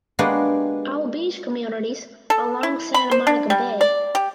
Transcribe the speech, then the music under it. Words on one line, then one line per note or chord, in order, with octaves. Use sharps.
All beach communities along Santa Monica bay.
G#3 A#3 B3 D4 F#4 G4
A4
E4
B5
C5
D4
G3
D5
G4